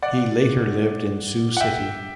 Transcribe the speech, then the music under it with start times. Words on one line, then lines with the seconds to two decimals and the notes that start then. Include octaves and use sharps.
He later lived in Sioux City.
0.02 D5 F#5
1.57 F#5
1.60 E5 G5